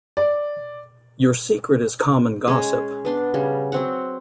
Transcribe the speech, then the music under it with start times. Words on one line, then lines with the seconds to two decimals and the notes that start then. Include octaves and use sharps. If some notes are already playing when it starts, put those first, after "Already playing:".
Your secret is common gossip.
0.17 D5
2.48 G#3 C#4
3.05 B3 D4 C6
3.34 C#3 G3
3.72 F#3 C4 F#5